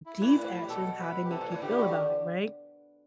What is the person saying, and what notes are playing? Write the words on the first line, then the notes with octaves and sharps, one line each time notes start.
these actions, how they make you feel about it," right?
E4
A2
B4
G4
B2 A4
B4
G4
C3 A4
A2
A2
D3 G4
E4
F#4
G4